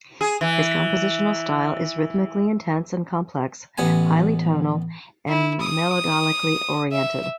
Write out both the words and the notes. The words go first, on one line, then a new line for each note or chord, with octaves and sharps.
His compositional style is rhythmically intense and complex, highly tonal and melodically-oriented.
G#4
E3
A1 B3 G#5
E4
D#6
E5